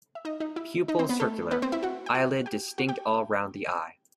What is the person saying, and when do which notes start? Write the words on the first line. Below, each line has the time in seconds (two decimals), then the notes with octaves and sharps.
Pupil circular; eyelid distinct all round the eye.
0.15 E5
0.25 D#4 D#5
0.40 D#4 D#5
0.56 E4 E5
0.88 D#4 D#5
0.99 C4 C5
1.09 B3 B4
1.20 A3 A4
1.51 B3 B4
1.62 C4 C5
1.72 E4 E5
1.83 F#4 F#5
2.06 G5
2.14 F#4 F#5
2.46 G4 G5
2.78 F#4 F#5
2.89 G4 G5